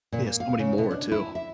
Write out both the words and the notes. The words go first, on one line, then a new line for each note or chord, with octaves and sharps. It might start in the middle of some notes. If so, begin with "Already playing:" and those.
Yes, so many more too.
A#2
A#3
F5
C#3
B2
D4
E4
E5